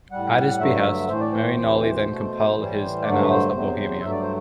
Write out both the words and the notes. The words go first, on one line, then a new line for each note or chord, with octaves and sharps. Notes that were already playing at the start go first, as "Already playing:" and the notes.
At his behest, Marignolli then compiled his "Annals of Bohemia".
A2 G3 F#5
G2 D3 F#3 A3 E5
A2 E3 A3 C5
D5
C5
D2 C3 E3
B2 A3
A2 E3 G3
G2 D3 F#3 A3 D5
C5
B4
C5
E2 C3 F#3
G2 F#3 A3 E5
D5
C5